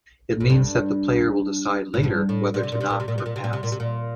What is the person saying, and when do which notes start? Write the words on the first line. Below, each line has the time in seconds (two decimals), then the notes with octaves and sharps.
It means that the player will decide later whether to knock or pass.
0.40 A2
0.50 G2
1.94 A2
2.03 G2
2.29 A2
2.54 A#2
2.63 C3
2.72 A#2
2.81 C3
2.90 A#2
3.00 C3
3.08 A#2
3.18 C3
3.26 A#2
3.36 C3
3.44 A#2
3.53 C3
3.63 A#2
3.72 C3
3.80 A#2